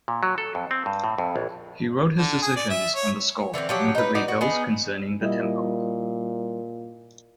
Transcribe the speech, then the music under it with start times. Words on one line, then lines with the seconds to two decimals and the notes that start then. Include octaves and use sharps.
He wrote his decisions on the score, notably those concerning the tempo.
0.08 A#2
0.23 F#3
0.38 A4
0.55 F2
0.71 C4
0.86 G2
1.04 A2
1.18 F2
1.36 A#1
2.18 D3
2.42 G#4
2.56 D5
2.70 E5
2.95 C#5
3.54 D3 E3 B3 C4
3.69 F3 F#3 G4
3.95 D#4 B4
4.15 D#4 F#4 D5 D#5
4.28 F#4
4.41 B3 D#4 G#4
5.21 A#2 G3 E4 D#5